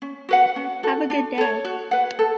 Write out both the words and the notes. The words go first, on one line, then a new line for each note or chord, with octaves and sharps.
Have a good day.
C#4
F#4 B4 F#5
C#4
F#4 A4
D4
A4 C#5
F#4
B4 F#5
A4